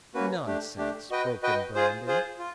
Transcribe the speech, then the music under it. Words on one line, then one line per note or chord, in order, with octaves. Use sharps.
"Nonsense!" broke in Brandon.
A#3 C#4 F#4 B4
A3 D4 G4
A3 D4 G4
F#4 B4 D#5 G5
F#4 B4 D#5 G5
F4 G#4 C5
F4 G#4 C5
F4